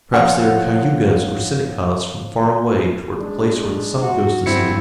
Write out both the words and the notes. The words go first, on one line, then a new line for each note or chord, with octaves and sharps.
Perhaps they are Cayugas or Senecas from far away toward the place Where-The-Sun-Goes-To-Sleep.
F3 C#5 F#5
G#3 D4
F#3 F#4
G2 G3 C4 E4 C#7